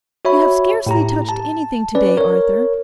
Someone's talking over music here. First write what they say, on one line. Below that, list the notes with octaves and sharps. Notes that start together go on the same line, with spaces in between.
You have scarcely touched anything to-day, Arthur.
F#4 C#5 E5 B5
A2 G4 A#5
A5
C#4 B4 D5
A#4 C#5